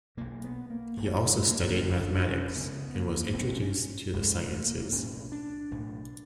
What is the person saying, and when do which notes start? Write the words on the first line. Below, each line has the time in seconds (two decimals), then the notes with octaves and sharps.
He also studied mathematics and was introduced to the sciences.
0.17 B1 B2 A#3
0.44 B3
0.70 A#3
0.97 G#1 G#2 A3
1.23 G#3
1.49 A#3
1.76 F#1 F#2 D3 C#4
2.02 D4
2.29 C#4
2.55 C#2 C#3 B3
2.95 A#3
3.34 A#1 G#2 C4
3.54 C#4
4.14 A1 G#2 G#3
4.40 A3
4.66 A#3
4.92 B1 A2 C#4
5.32 D4
5.71 B1 A2